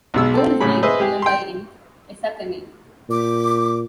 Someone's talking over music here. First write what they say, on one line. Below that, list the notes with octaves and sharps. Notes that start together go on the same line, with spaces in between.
Gold is mined nearby in Essakane.
B1 B2 G#3 E6
C4 A4
A2 C#3 F#3 G#3 G#4 B5
G#4 B4 C5 D#5 E5
G#3 G4 G#4
G5 C6
A#2 D6